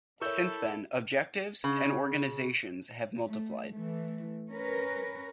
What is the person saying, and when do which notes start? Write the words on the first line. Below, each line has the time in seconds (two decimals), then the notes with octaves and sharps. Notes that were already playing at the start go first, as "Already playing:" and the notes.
Since then, objectives, and organizations, have multiplied.
0.21 E4 A4 A#4 C#5 E5 C#6 E6 G6
1.64 C#3
3.25 A3
3.74 E3 A3
4.50 C#4 A#4 B4